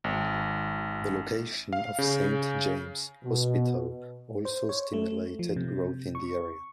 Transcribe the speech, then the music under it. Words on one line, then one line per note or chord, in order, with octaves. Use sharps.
The location of Saint James' Hospital also stimulated growth in the area.
G#1
F5
C#3
B2
C5
C#5
A3
F3
C3
C#6